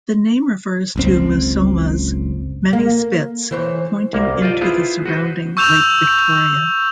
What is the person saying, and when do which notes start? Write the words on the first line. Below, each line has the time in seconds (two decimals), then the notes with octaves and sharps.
The name refers to Musoma's many spits pointing into the surrounding Lake Victoria.
0.96 F#1 C#2 C4
2.73 A#3
3.51 E3 C5 C#5
4.13 C2 A#3
4.42 F4 C5 D5 D#5
4.61 B3 E4 F4 G#4 C5
5.06 F#4 B4 C5
5.57 C#6 E6 G6 E7 F7